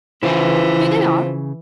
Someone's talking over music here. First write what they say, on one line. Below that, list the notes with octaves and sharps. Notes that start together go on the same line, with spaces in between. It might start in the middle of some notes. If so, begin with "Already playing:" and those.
"Here they are."
C#3 E3 F3 E4 B4 C5